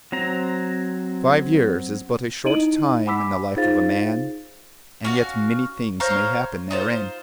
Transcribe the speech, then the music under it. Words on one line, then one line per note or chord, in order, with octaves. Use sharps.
Five years is but a short time in the life of a man, and yet many things may happen therein.
F#3 C4 A#5
D#4 E4 D#5 D7 D#7 F#7
F#5 G#5 B5 D6 E6 B6
D#4 F4 G#4 C5 F5 A6
C#4 F#4 F5
C5 C#5 F5 A#5
D#4 F4 C5